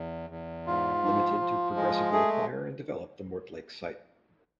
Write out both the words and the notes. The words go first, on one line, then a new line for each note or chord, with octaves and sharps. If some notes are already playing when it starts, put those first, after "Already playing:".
Limited to progressively acquire and develop the Mortlake site.
Already playing: E2
E2
G#2 F4
F3
F3
G#3
A3 G#4